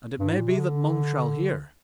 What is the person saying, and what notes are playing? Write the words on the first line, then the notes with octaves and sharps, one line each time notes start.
And it may be that Mung shall hear.
G2
G#2
A#2
C3
D3